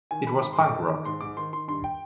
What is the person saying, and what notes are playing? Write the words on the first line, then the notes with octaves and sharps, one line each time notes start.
It was punk rock.
D#3 G#5
D#3 B5
G#2 B5
C6
G#2
D6
D#3
D#3
G#2 C6
G#2 D6
D#3 C6
D#3 C6
G2 C6
G5